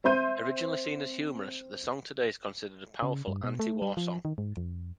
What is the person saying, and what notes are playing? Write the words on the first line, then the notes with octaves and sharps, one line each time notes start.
Originally seen as humorous, the song today is considered a powerful anti-war song.
C4 E5 C6 G6 D#7
C#3
G2
B2
A3
G3
F3
D#3
G#2
F2